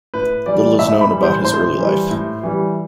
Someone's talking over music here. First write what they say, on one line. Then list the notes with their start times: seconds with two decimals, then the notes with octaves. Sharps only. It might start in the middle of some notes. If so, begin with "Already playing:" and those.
Little is known about his early life.
0.14 A2 B4
0.46 E3 G3 D5
0.79 A2 E5
1.01 B5
1.12 E3 G3
1.23 C5
1.44 A2 C5
1.77 E3 G3
2.11 A2
2.43 E3 G3